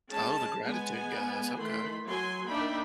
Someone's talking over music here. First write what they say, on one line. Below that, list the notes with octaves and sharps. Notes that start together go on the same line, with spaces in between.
Oh, the gratitude guys. Okay.
G#3 C#4 G#4 A5
G#3 B3 G#5
D#3 E3 A3 B5 C6
F#3 G#5 C6
A#3 D4 D#4 E5 G5 B5